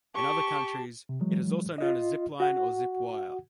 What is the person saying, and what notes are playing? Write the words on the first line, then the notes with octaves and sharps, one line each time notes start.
In other countries, it is also known as a zip-line or zip-wire.
G4 A5 C#6
C3
E3 F#3 G#3
F4 D#5
F#4 F#5